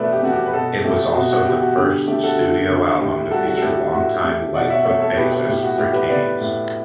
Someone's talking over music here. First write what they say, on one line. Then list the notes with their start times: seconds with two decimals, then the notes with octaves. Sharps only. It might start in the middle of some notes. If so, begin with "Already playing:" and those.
It was also the first studio album to feature long-time Lightfoot bassist Rick Haynes.
Already playing: B2 A3 B4 D5 E5
0.13 G4
0.22 A3 F#4
0.33 G4
0.46 B4
0.53 B2 F#4 A4
0.84 A3 G4
1.15 B2 F#4
1.31 F#4
1.46 B2 G4
1.61 F#4
1.76 D3 G4
2.07 A3 G4
2.23 F#4 A4
2.38 D3
2.69 D3
3.00 A2 G4
3.31 G3 F#4 A4
3.46 F#4
3.57 A4
3.62 A2 G4
3.93 A2 F#4
4.23 A3 G4
4.54 B2 D5 F#5
4.70 C#5 E5
4.78 F#5
4.85 A3 C#5 E5
5.00 A4 C#5
5.16 B2 G4 B4
5.32 G4 B4
5.47 A2 G4
5.63 F#4
5.77 A2 G4
5.93 G4 B4
6.08 B3 B4 D5
6.40 A2